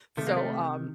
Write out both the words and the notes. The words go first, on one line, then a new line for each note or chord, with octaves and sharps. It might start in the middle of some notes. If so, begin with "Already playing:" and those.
So, um
C3 D#3 A3
A#3
A3